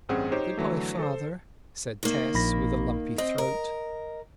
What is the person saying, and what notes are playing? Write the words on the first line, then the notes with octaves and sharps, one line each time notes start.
"Goodbye, father," said Tess, with a lumpy throat.
A1 G2 C4 C#4 G#4 F#5
D#4 G4 C5 C#5
D3 E3 F#3 A3
A4 C5
D#3 A#3
A#1 B5 A#6
C4 D#5
A#4